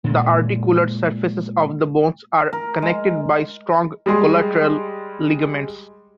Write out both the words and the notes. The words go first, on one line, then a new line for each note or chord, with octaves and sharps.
The articular surfaces of the bones are connected by strong collateral ligaments.
A#2 G#3
A#4
G#3
G3 G#3 G#4 C6